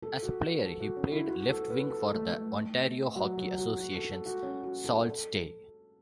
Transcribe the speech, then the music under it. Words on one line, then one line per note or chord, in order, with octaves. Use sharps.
As a player, he played left-wing for the Ontario Hockey Association's Sault Ste.
A4
F#4
A4
F#4
C#4
E4
F#4
A4
B4
A4
A3
A3
F#3
F#3
F#3
F#4
A4
A4
F#4
C#4
F#4
A4
A4